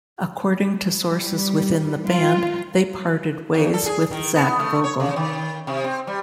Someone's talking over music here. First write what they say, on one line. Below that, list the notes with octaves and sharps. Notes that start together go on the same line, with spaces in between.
According to sources within the band, they parted ways with Zach Vogel.
G3
F4
E2
A4
G#4
D#3
B3
A3
C#5
C#3
D#3
C3
C4
G3